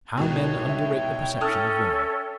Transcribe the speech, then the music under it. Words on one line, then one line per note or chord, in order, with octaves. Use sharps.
How men underrate the perception of women!
C2 G#2 B2 C#5 G5
E5
C#4 A4 A5 D#6 F6